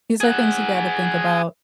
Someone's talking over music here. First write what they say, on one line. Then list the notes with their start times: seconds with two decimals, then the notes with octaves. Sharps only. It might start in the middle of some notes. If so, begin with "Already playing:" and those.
these are things you gotta think about.
0.21 G#4 F#5